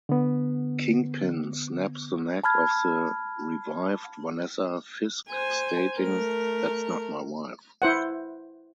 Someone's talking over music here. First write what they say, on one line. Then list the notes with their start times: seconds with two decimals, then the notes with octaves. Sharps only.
Kingpin snaps the neck of the revived Vanessa Fisk stating, That's not my wife.
0.09 D3 B3
2.44 A5 B5 F6 G#6
5.29 C5 G#5
5.99 A3 A#4
7.82 E4 C5 F#5